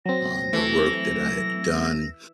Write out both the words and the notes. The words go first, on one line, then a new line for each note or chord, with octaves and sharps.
uh, the work that I had done.
F#3 C4 A#6
E3 A3